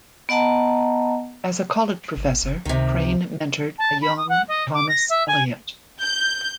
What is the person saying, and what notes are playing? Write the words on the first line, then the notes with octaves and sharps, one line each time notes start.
As a college professor, Crane mentored a young Thomas Elliot.
B3 D#5 F#5 A5 A#5
G#1
F#1
C#2 C3 D#3
A5
B5
D#6
F#5
D#5
D6
A#6
E5
G#5
G6